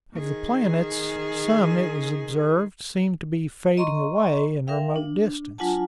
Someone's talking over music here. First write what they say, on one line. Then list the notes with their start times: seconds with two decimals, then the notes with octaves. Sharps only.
Of the planets, some, it was observed, seemed to be fading away in remote distance.
0.16 D#3 G#4
3.77 D#5 A#5 C6 C#6
4.67 A#4 E5 F5 G5
4.96 D4
5.58 F#3 D4 F4 F#5 G#5 A5